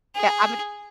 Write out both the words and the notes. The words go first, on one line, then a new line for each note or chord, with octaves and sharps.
yeah, I'm a
G#4